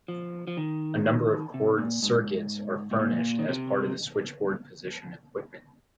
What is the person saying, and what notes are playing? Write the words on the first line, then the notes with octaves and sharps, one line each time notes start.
A number of cord circuits are furnished as part of the switchboard position equipment.
F3
F3
D#3
C3
A#2
G#2
G#2
A#2
D#3
C3